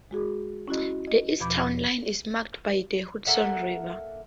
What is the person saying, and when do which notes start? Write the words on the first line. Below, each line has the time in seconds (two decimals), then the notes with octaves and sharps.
The east town line is marked by the Hudson River.
0.11 G#3 F#4 G#4
0.68 C#4 E4 F#4 D#5
1.07 D#5
1.40 E2 B2 F3 B5 D6 G6
3.26 A#3 A4 E5 F#5